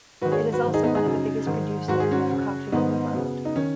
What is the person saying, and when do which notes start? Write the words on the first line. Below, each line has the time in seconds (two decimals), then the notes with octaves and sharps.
It is also one of the biggest producers of coffee in the world.
0.22 G#2 D#3 F#4 B4
0.32 G#4 C#5
0.52 F#4 B4
0.63 G#2 D#3
0.74 D#4 G#4
0.84 B3 D#4
0.95 D#4 G#4
1.05 F#2 C#3
1.46 G#2 D#3
1.88 G#2 D#3 F#4
2.00 G#4
2.11 C#4 F#4
2.30 F#2 C#3
2.72 G#2 D#3 B3 D#4
3.14 F#2 C#3 B3
3.45 D#4
3.56 D#3 C#4